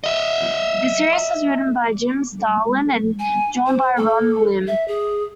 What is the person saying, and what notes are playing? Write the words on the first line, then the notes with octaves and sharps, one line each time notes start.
The series was written by Jim Starlin, and drawn by Ron Lim.
D#5 E5
G#5
C5
A4
E5
G#4